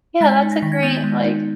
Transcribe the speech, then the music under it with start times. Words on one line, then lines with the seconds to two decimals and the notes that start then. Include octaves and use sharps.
yeah, that's a great, like
0.21 G#3 A6 B6
0.43 D#4
0.52 A#6
0.62 D#3 B6
0.72 G#6 A#6
0.83 B3 G6 A6
1.04 G#3
1.24 D#4